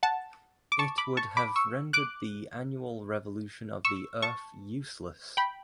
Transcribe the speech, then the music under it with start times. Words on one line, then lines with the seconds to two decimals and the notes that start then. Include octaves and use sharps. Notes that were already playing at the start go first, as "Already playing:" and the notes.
It would have rendered the annual revolution of the Earth useless.
0.03 F#5 A5
0.72 D6
0.79 A5 C#6
0.98 B5 D6
1.17 A5 C#6
1.37 B5 D6
1.56 C#6 E6
1.93 D6 F#6
3.85 C#6 E6
4.22 A5 C#6
5.37 G5 B5